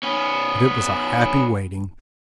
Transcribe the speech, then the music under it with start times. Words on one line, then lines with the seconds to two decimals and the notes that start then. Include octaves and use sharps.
But it was a happy waiting.
0.03 B3 C#4